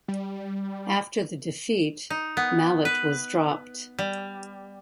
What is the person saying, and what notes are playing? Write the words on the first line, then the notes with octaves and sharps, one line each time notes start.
After the defeat, Mallett was dropped.
G3
D#4
B3
B4
G3